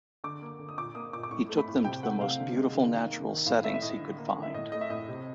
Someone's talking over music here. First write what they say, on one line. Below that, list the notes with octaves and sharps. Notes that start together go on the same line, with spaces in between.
He took them to the most beautiful natural settings he could find.
D3 D6
A#3
D3
D#6
A#2 D6
A#3 D#6
A#2 D6
D6
A2 C#6
A3
B5
A2
C3 G5
A3 F#5
C3 F5
D3
G#3
D3
D#3
A#3
D#3
A2 F5
A3 E5
E5
A2 D#5
D3
A#3
D3
E5
A2 D#5
A3 D#5
E5
A2 D#5
C3